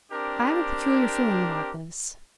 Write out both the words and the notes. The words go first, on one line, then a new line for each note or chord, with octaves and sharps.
I have a peculiar feeling about this.
C4 D4 G4 A#4